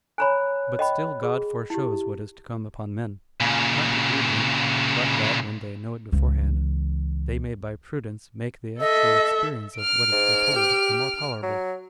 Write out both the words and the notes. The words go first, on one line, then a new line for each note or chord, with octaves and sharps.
But still God foreshows what is to come upon men, not to grieve them, but that, when they know it beforehand, they may by prudence make the actual experience of what is foretold the more tolerable.
C#5 G#5 A#5 B5 F#6
D#5 G5 B5
G#4
E4 G4
A#2 C#3
C#2 E3
A4 D#5 E5
F6 D7
G#2
G4
F#3